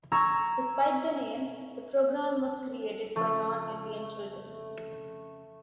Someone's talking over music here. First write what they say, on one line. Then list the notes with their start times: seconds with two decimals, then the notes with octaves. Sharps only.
Despite the name, the program was created for non-Indian children.
0.12 A#5 C#6 E6 G#6
3.16 F2 C#3 F3 A3